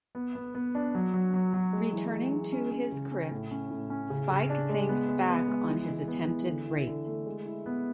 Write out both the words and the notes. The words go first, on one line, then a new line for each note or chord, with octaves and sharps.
Returning to his crypt, Spike thinks back on his attempted rape.
B3
B3
B3
D4
F#3
F#3
F#3
F#3
G#3
E3
G#3
G#3
C#4
C#4
C#3
C#4
A2
C#4
A2
C#4
C#3
C#3
D4
G#3
B3
G#3
B3
G#3
E3
G#3
B3
E3
D3
E4
D3
A3
G#3
E4
B3